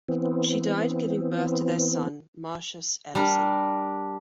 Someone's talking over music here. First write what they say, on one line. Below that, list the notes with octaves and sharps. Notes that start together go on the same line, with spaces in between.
She died giving birth to their son Martius Ellison.
E3 B3 C4
G3 D4 A#4